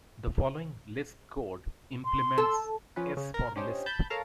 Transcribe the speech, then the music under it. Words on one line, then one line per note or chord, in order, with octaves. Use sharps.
The following Lisp code implements s for Lisp.
C6
A4
F3 C#4 F4 B4
C#3 C#4
A#4
C#4 D4 G4 C5 D#5
A5 B5 G6
A4 A#4 C#5 F5 A5 A#5